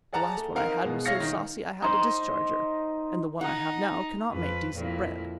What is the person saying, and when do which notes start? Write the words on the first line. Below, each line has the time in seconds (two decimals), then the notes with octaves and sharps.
The last one I had was so saucy I had to discharge her, and the one I have now cannot make decent bread.
0.13 G#4 D5 F#5 A5 A#5 A6
0.37 A3
0.55 C4 D#4 A#4 F5 F#5
0.83 B2 G#3
1.05 E4 C#5 F5 A#6 C#7
1.20 D#3
1.82 D#4 C5
3.41 D#4 F#5
4.31 F2 B4
4.73 F2 A#2 E4